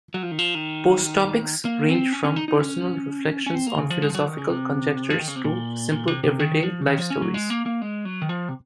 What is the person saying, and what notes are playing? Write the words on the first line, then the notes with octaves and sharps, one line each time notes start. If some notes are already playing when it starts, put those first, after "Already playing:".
Post topics range from personal reflections on philosophical conjectures to simple everyday life stories.
F#3
F3
D#3
F3
D#3
A#3
C4
C#4
C#4
D#4
D#4
C#4
C#4
C4
A#3
C#3
F3
G#3
F3
F#3
D#3
C#3
C3
F3
D#3
C#3
C3
A#2
A#2
C3
C3
D#3
F3
C#3
D#3
F3
C#4
F#3
G#3
A#3
A#3
G#3
F#3
D#3
F3
C3